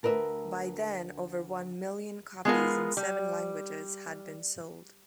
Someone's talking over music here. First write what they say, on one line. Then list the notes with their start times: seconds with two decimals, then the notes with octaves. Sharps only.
By then over one million copies in seven languages had been sold.
0.03 D2 A#4 B4 D#5 E5
2.45 G#3 B3 F4 A#4
2.97 G3